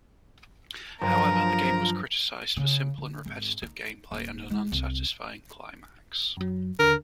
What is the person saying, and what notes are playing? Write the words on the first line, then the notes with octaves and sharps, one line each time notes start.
However, the game was criticized for simple and repetitive gameplay and an unsatisfying climax.
G2 F3 F#3 A#4
C#3
D3
G#1
D#4
D#1
G#3
C2
F#2 F#3
D#2 D3 A#4